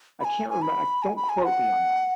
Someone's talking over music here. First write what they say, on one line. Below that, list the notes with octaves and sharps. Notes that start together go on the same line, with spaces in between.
I can't reme don't quote me on that.
B5
G#5
G#5
B5
G#5
B5
G#5
F#5